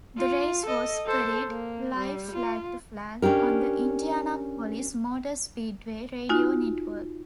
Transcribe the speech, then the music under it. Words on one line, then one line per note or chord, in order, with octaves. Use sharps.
The race was carried live flag-to-flag on the Indianapolis Motor Speedway Radio Network.
F4
A4 D#5
A4 C5
A#3
G3
F4
C#4 D4 G4 A#4
D#4 F4 F#4 G#5